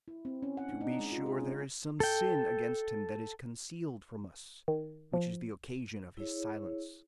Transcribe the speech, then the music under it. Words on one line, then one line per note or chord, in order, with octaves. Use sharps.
To be sure there is some sin against him that is concealed from us, which is the occasion of his silence.
E4
C4
C#4
F#5
D4
D#4
G#3
F4
G#4
C#4
C#4
A4 G5
D#3
F3
E4 G#4 C#5